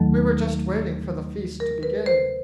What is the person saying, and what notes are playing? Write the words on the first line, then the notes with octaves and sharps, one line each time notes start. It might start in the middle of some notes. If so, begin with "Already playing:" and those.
We were just waiting for the feast to begin.
Already playing: D#2 D#3 F#3 A3 A4
A#4
B4
C5